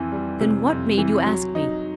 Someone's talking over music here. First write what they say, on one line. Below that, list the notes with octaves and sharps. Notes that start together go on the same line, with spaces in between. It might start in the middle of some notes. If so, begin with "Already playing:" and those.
Then what made you ask me?
Already playing: F2 E3
G3
C3
F2
E3
F#3
D#4